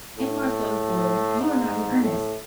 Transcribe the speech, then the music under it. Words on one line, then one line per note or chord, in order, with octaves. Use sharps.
"Aunt Martha would--you are not in earnest."
A2
G#2
A2